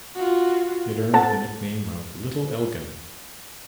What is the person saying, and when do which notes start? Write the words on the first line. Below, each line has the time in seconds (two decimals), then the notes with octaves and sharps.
It earned the nickname of "Little Elgin".
0.16 F4 F#4
1.14 C4 A4 F#5 A5 A6